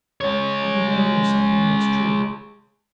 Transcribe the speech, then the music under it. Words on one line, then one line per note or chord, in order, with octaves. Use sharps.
And we may hear something that's true.
G#3 C#5